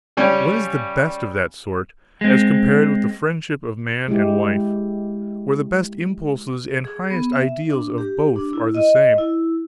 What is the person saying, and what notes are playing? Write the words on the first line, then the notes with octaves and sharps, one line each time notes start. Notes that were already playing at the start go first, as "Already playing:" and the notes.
What is the best of that sort, as compared with the friendship of man and wife, where the best impulses and highest ideals of both are the same?
C#3 G3 C#4 G4
G#3 C4
G#3 E4 G4
G#4
B3
E5
D4
G4
D4
E4
D#5
E4